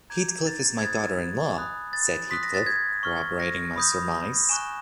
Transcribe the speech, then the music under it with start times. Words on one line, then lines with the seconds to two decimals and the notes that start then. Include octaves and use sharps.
Heathcliff is my daughter-in-law,’ said Heathcliff, corroborating my surmise.
0.10 A#5 D6 G6 G#6
0.47 A6
0.79 G#6
0.83 B5 D#6 F#6 A6
1.57 G#5 B5 D#6 F#6
1.93 A6
2.30 C6 D#6 F#6 B6
2.43 A#6
2.55 A6
2.66 G#6
3.03 C#6 F6
3.40 A#6
3.76 B5 D#6 G6
4.49 G#5 C#6 F#6 E7